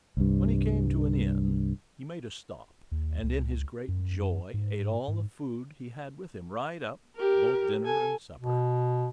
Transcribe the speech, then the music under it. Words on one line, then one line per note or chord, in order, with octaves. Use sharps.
When he came to an inn, he made a stop, and in his great joy ate all the food he had with him right up, both dinner and supper.
C2 G2
D#2
C#2
F#2
G#2
G#2
G4 A#4
A4 G#5
B2